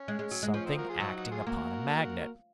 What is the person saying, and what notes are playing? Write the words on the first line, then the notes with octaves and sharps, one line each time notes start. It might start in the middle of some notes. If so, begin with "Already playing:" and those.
Something acting upon a magnet.
Already playing: C#4
G#3
G#3
F#3
G#3
F3 C#4
C4 D#4
F#4 A#4
F4 G#4
F#3 D#4 F#4
D#4 F#4
F4 G#4
A#3 F#4 A#4